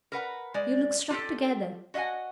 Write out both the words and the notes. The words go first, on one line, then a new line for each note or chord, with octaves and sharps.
You look struck together.
A#4 B4 F#5 A#5
G#3 D5
F4 G4 A4
F#4 D#5 E5 F#5 G#5